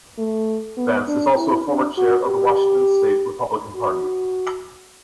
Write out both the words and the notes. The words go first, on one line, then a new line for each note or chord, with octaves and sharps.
Vance is also a former chair of the Washington State Republican Party.
A3
B3
D4
E4
D4
F#4
G4
F#4